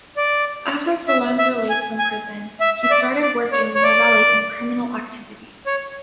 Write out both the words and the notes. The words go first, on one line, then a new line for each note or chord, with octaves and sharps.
After Salemme's release from prison, he started working with Morelli in criminal activities.
D5
E5
E5
G#5
G#5
E5
E5
D5
D5
C#5
C#5
D5
C#5